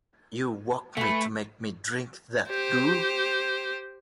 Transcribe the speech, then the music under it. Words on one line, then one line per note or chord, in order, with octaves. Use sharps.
You woke me to make me drink that goo.
A3 B4 G#5
G4 C5